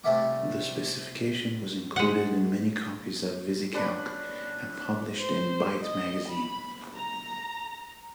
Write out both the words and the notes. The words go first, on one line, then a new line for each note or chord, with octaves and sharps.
The specification was included in many copies of VisiCalc, and published in Byte Magazine.
C3 G3 A3 E5 F#5 D6
G#3 F#5
C#4 D4 B4
C5
D#5
B5
A#5